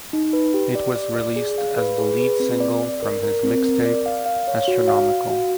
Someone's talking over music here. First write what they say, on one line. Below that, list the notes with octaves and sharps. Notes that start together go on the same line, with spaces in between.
It was released as the lead single from his mixtape "Astronomical".
D#4
B4
G4
D5
D5
D5
G#4
F5
B4
G#4
B4
C4
D5
D5
A#4
A#4
C4
A#4
D5
F5
F5
C#5
F#4
F5
F5
F#4